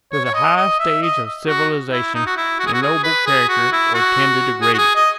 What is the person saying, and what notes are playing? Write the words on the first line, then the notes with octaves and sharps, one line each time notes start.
Does a high stage of civilization ennoble character or tend to degrade it?
C#5
C#5
D#5
D#5
E5
D#5
F#4
E4
D#4
F#4
E4
F#4
G#4
F#4
G#4
B4
G#4
F#4
E4
F#4
G#4
F#4
G#4
D#5